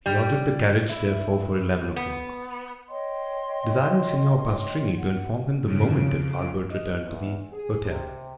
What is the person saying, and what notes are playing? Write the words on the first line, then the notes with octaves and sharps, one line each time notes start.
He ordered the carriage, therefore, for eleven o'clock, desiring Signor Pastrini to inform him the moment that Albert returned to the hotel.
G3
E4
B3
C#5 D#5 G5 C6
F#5
F2 C#3 D7
D#5
E2
G#4
C3